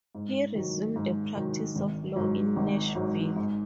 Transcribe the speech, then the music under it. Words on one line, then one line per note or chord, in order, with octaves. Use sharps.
He resumed the practice of law in Nashville.
G#2
D#3 F#3
G#2
D#3 F#3
G#1
G#2 F#3
G#1
G#2 F#3
G#2